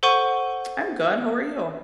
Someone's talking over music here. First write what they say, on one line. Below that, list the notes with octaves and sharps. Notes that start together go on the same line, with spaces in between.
I'm good, how are you?
A4 C5 F#5 C#6 D#7